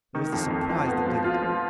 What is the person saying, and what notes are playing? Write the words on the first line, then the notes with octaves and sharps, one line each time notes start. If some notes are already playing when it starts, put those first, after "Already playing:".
It was the surprise that did it.
D#3
F2
F2
F2
B3
F3
F4
F3